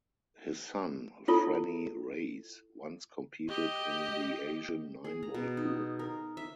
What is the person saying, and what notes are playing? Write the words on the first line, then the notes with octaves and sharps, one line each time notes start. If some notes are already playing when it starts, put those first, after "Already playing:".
His son, Frennie Reyes, once competed in the Asian Nine-ball Tour.
E4 F4 A4
G4 D#5
G#4
A#5
B2
D#4
A#4
E5